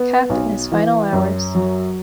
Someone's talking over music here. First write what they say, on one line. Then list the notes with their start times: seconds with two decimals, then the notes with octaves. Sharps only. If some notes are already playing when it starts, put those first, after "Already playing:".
Cap in his final hours.
Already playing: B3
0.30 B1
0.72 E3
1.13 F#2
1.55 F#3